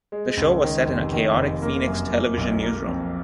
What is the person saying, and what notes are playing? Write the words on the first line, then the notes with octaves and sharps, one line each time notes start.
The show was set in a chaotic Phoenix television newsroom.
G#3
C#2
D#3
F1
D#3
F1
A#3
F#2
A#3
B1
A#3
F2